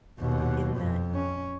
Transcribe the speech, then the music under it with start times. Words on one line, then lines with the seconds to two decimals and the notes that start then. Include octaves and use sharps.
in that,
0.20 D#2 B2
0.77 F2
1.15 C#4